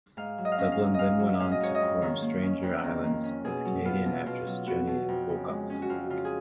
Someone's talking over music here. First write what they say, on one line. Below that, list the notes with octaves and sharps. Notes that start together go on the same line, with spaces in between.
Dublin then went on to form Stranger Islands with Canadian actress Joanie Wolkoff.
G#2 F5
F#3
D#5
F5
C#4 D#5
F5
G#2
G#2 D#5 F5
F#3
C#4 F5
D#5
G#2 C#5
D#5
F2
D#3
A#3
C#4
F2
D#3
A#3
C#4
B2 G#4
F#3
B3 F4
B2
B2 F4
F#3
B3 F#4
B2
F2
C#3
G#3
C#4
F#4
F2 F4
C#3 F4
G#4